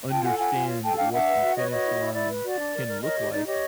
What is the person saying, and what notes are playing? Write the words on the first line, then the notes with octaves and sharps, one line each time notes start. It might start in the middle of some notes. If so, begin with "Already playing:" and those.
understand what the finish line can look like,
F4 G5 A5
A4 F#5 G#5
F4 F#5 G#5
F4
C#5
A4 G5 A5
D4 F5 G5
D4 E5 F#5
B4
F#4
B4 C#5 D#5
F#4 C#5 D#5
E4
E4
E4 D5
B4
F#4 D5
D4
A#4
A#4
A#4 C#5 D#5
G4
D#4 D5
G4 C#5 D#5